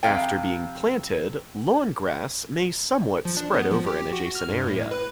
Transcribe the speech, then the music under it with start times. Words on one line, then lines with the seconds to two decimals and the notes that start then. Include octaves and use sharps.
After being planted, lawn grass may somewhat spread over an adjacent area.
0.03 F2 C3 F5 G5
3.25 F3
3.37 D4
3.54 B3
3.71 F3
3.87 G4
4.13 F#4
4.35 F6
4.49 G2
4.67 A2
4.91 B4